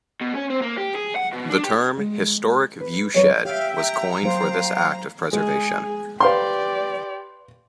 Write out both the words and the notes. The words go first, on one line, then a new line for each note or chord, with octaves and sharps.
The term "historic viewshed" was coined for this act of preservation.
B2
C#4
C4
A#3
G4
G#4
F#5
B2
D4
G4
G#3
B4
F2 F#3 B4 C#5 D#5
G4 E5 F5 G5
A#5
F#3 A#3 C5 F5 G5
G#3 G#4
G4 B4 D5 F5 C6